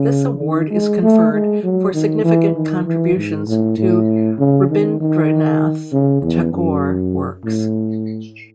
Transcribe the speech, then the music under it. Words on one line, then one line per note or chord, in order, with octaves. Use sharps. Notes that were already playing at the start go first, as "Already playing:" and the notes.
This award is conferred for significant contributions to Rabindranath Tagore works.
Already playing: C#3
D#3
G#3
A3
G#3
F#3
D#3
E3
D#3
E3
G#2
A2
A2
C#3
D#3
D#3
C#3
E2
F#2
A2